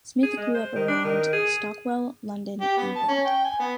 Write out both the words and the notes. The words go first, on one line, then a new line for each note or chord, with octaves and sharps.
Smith grew up around Stockwell, London, England.
G#4
G#3
C5
D#3
D4
D#3
G#4
G4
B3
A5
C#4
G5
G#5
B3